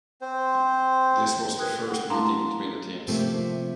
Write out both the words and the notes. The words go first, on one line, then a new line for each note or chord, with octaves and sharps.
This was the first meeting between the teams.
C4 C5
A#4 B4 G5 D#6 F#6 G#6
F#5
A3 D4 E4 F5 A#5 C6
C3 F3 A3 A#3 C4